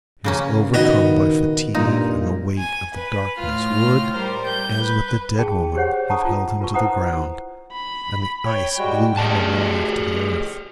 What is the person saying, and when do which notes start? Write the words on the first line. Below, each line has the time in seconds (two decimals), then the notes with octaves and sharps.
He was overcome by fatigue, and the weight of the darkness would, as with the dead woman, have held him to the ground, and the ice glued him alive to the earth.
0.24 C#3 A#3 C#4
0.74 A#2 D#3 B3 F#4 D#5
1.75 G2 A#2 G3 D#4 F4
2.58 G#5
2.94 B4
3.38 A2 F4 F6
4.13 G3 A#4 C5
4.47 G6
4.81 B4
5.39 G#4 G5 A5
5.75 G4 G#4 C5 C#5 F#5
6.10 F#5 A5 A#5 C#6 D#6
6.25 F4
6.60 F4 A#4 B4 A5 C#6
6.74 E4 B4 C5 F#5 A#5 D#6
7.72 B5
8.46 C#5 G5 B5
8.78 G3 G#3 F#4
9.17 G4 G#4 C#5 D5 A5